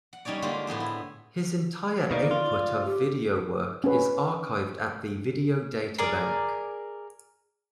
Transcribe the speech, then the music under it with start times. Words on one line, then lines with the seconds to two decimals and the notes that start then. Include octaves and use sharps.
His entire output of video work is archived at the Video Data Bank.
0.13 F#5
0.25 G3 C#4 D#4 C#5 D5
0.42 D3 G#3 A#3 F4 G4 G#4
0.67 A2 B3 G#4 C5
0.80 E4
2.11 B2 D#3 A#3 D5
2.31 F4
2.85 G4
3.84 C#4 B4
5.98 G#4 A#4 D5